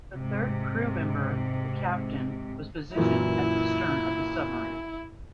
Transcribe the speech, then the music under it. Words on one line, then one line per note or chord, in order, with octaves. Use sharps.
The third crew member, the captain, was positioned at the stern of the submarine.
G#2 C3
F#2 A#2 E3 E4